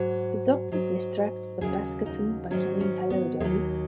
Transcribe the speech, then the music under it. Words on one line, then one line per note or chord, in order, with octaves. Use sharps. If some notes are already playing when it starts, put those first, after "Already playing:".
The Doctor distracts a Pescaton by singing Hello, Dolly!
Already playing: G#2 F#3 F#4
G#2 F#3
D#2 C#3 F#3 G#4
D#4
G#2 D#3 F#3 C#4
C#4
B3
D#2 D#3 F#3 G#3